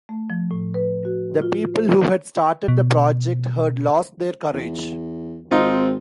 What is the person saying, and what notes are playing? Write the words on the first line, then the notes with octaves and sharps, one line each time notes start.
The people who had started the project had lost their courage.
A3
F3
A2
B4
F#4
F4
C5
B2
E2
G#1 C4 D#4 F4